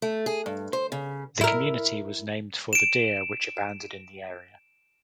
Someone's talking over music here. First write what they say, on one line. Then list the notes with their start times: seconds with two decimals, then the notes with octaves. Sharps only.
The community was named for the deer which abounded in the area.
0.02 A3
0.26 G#4
0.46 G2
0.73 C5
0.92 C#3
1.41 E4 A#4
2.73 D7 E7